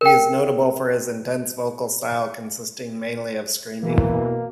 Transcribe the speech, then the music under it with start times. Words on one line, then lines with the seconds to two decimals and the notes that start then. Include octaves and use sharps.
He is notable for his intense vocal style, consisting mainly of screaming.
0.01 A#4 G5
3.83 B2 E3 A#3